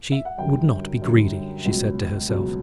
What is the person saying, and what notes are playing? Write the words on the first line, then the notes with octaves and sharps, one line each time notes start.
She would not be greedy, she said to herself.
E5
F#5
F#2 D3 G3 G5
F#2 D3 G3
C#2 B2 F#3
C#2 B2 F#3